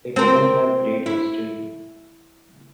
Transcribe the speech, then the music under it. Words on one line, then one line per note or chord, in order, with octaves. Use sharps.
It doesn’t have great history.
C4 A#4
E4